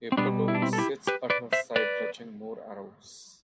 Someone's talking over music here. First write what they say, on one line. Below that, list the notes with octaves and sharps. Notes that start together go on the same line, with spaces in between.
A putto sits at her side clutching more arrows.
C4
B2 G3 B3 D4
E4
D4
C4 E4
A4
E4 G4
G4 B4
B4 D5
C5 E5
B4 D5